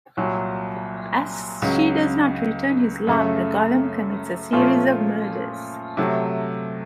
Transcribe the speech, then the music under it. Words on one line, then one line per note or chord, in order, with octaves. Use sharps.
As she does not return his love, the golem commits a series of murders.
C2 A#2 F#3
C#2 C#3 F#3
F#2 C#3 A3
A#2 F3 A3 C#4 F4
C3 F#3 A3